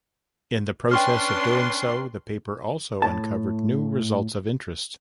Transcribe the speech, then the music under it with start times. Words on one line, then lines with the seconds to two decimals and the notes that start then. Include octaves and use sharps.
In the process of doing so, the paper also uncovered new results of interest.
0.91 C#4 D4 B4 G5 C6 C#6 F6
3.02 A2 A5